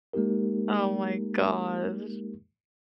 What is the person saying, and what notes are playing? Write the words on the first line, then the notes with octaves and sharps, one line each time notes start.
Oh my gosh.
G#3 A#3 D#4 G4 A#4